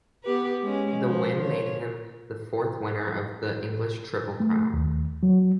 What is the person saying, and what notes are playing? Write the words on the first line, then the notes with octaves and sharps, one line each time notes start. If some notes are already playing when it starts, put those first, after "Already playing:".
The win made him the fourth winner of the English Triple Crown.
B3 G4 B4
G#3 C#4
F3
C#5
A3
D#2
F#3